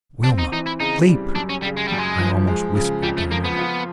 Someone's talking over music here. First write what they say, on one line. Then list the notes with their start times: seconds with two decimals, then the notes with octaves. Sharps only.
"Wilma, leap!" I almost whispered the order.
0.23 C4 D4
0.38 D#4
0.52 E3 D#4
0.66 E4
0.80 C#3 D#4
1.08 G3
1.35 F#2 D4
1.50 C#4
1.63 C#3 G3
1.77 G#3
1.88 F#2 G3
1.98 G#3
2.19 F3
2.47 G#3
2.75 C#3
3.03 F2 G3
3.17 A3
3.31 F3 A#3
3.44 B3
3.59 F4